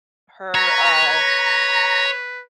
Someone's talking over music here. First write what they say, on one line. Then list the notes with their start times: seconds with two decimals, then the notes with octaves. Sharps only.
her, uh,
0.55 B4 C#5 A#5